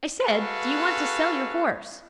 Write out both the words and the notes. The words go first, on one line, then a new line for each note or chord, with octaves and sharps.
"I said, do you want to sell your horse?"
F#4 G#4 A4 B4 F5